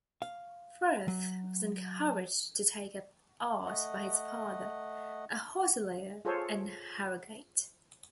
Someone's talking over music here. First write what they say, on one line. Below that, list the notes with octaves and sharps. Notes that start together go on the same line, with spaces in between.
Frith was encouraged to take up art by his father, a hotelier in Harrogate.
F5
F#3
A3 D#5 F#5
F4 G#4 A4 C5 C#5